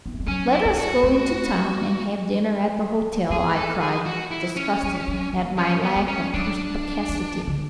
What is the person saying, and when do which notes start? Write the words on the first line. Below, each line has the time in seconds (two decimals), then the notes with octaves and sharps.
"Let us go into town and have dinner at the hotel," I cried, disgusted at my lack of perspicacity.
0.06 B3
0.13 A3
0.20 G#3
0.27 F#3 C#4
0.52 E4
0.65 G#3
0.77 F#4
1.03 A3
3.30 G#3 G#4
3.55 A4
3.81 G#4
4.06 F#4
4.31 E4
4.56 C#4
4.82 F#3
5.08 F#3
5.33 E3
5.58 C#4
5.82 B3
5.96 G#3
6.08 C#4
6.34 F#3 D4
7.09 E3
7.47 D3